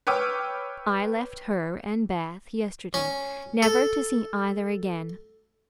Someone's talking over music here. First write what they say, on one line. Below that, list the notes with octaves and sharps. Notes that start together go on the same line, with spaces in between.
I left her and Bath yesterday, never to see either again.
B4 C#5 G5 D6 E6 F6
C#4
A4